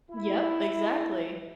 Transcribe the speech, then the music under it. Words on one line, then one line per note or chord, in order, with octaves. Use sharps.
Yep, exactly,
E4